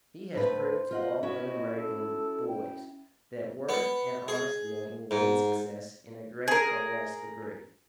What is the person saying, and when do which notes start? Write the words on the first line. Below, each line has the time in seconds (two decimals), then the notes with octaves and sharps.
He has proved to all other American boys that worth and honest dealing will win success, in a greater or less degree.
0.33 D2 A2 B4 C5
0.91 F4 D#5 F#5
1.23 C#4 E4 F#4 D#5
1.76 A4
2.48 G5
3.69 B3
4.28 G#4
5.11 G#2
6.48 G#4 A#4